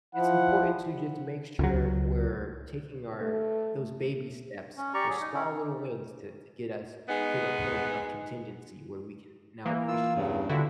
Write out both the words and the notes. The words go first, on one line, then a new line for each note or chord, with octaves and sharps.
it's important to just make sure we're taking our those baby steps, those small little wins to to get us to the point of contingency where we can now appreciate,
F3 E4 F#5
C#2 F#3
A3
C#4
G4 D5 A#5 C#6
F#3 G#4
D#4
C#4 E4
G#3 B3 D#4
E3 A#3
F4 E6
E2 G2 C#3
A#2 D3 G3 E4 F#4